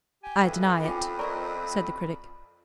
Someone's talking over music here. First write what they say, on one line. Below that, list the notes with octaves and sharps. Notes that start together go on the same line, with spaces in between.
"I deny it," said the Critic.
G4 G#5
F2 E3 B5
C#4 F4 G4
A#4 C5 D5 D#5 C#6